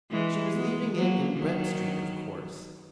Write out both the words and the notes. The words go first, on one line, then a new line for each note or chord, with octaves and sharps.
She was leaving it in Brett Street, of course.
E3 G#3
G#3 B3
F#3 A#3
D#3 F#3